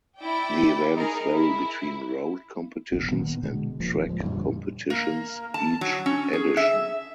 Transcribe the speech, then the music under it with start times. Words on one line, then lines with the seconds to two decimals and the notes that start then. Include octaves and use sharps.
The events vary between road competitions and track competitions each edition.
0.19 E4 D5 G5
0.94 D#4 G#4 A#4
1.30 E4
2.92 D#1 B1 B3
3.11 A#2 D#3 A#3 B3
3.43 B2 D3 G#3
3.80 D#1 F3 A#3
4.09 D1 F3 G#3
4.23 F2 A#2 D3 G3
4.90 A#3
5.54 A5
5.81 F#3
6.06 C#4
6.33 G#4
6.57 E5